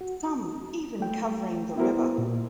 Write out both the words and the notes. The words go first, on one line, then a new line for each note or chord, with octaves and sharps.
Some even covering the river.
F#4
A3 G5
B3 E4 F#4 A#4 C5
A#2